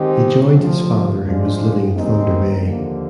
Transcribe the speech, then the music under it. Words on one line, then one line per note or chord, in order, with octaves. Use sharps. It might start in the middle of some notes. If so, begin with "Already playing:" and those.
He joined his father who was living in Thunder Bay.
Already playing: D#3 G#3 C4 D#4 G4
D2 C3 F3
G#2 F3 G#3 D4
D#2 D#3 G#3 C4 D#4
D#2 D3 F3 A#3